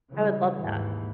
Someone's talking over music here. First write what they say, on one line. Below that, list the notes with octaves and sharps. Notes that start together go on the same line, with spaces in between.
I would love that.
C#3 E3 G3
D#2 G#2 E3